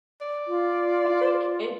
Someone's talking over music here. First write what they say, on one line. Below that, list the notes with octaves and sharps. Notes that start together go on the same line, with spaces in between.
I think it
D5
F4